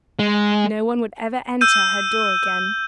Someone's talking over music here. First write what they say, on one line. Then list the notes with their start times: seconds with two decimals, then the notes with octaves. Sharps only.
No one would ever enter her door again.
0.19 G#3
1.61 E6 G6 D#7